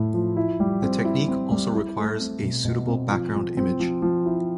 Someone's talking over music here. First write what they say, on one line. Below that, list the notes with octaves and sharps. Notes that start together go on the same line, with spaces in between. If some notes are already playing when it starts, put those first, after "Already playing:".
The technique also requires a suitable background image.
Already playing: A2 E4
F3
E4
G3
C4
E4
C4
G3
E4
A3
C4
B2
B2
C4
F3
F3
C4
F3
F3
E4